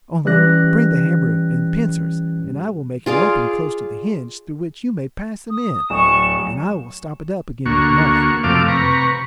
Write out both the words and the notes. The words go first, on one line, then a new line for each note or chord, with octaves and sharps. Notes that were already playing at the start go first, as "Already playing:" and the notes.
Only bring the hammer and pincers, and I will make an opening close to the hinge, through which you may pass them in, and I will stop it up again with mud.
E3 G3 C#4 G4 F#6 A#6
F4 G#4 D5 F5
D#6
D1 C#6 E7
D2 A#3 F#4 C#6
F2 C3 A3 F5 D6
C3 B4 A#5 C#6